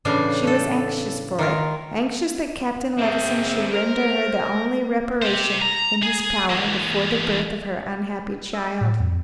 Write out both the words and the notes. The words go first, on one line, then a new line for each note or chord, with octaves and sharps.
She was anxious for it--anxious that Captain Levison should render her the only reparation in his power before the birth of her unhappy child.
A2 C#3 E3 D4 F5
A3 A4
D#3 F4 A#4
C4 G#4 E5
A#4 C5
G4 C5
A#5
G#4
E3 A#3
E6
A2
F2